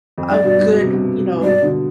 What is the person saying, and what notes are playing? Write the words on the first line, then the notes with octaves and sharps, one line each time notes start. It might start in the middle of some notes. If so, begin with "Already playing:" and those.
a good, you know,
F2
G2 D5
G2 B2
G2 B2
B2
C3
G2 B2
G#2
G2 B2 D5
B2 D3